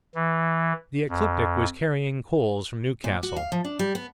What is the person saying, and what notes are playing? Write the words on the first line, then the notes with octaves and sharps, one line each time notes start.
The 'Ecliptic' was carrying coals from Newcastle.
E3
F2
A#2
F#4
F5
F3
D4
G3
B3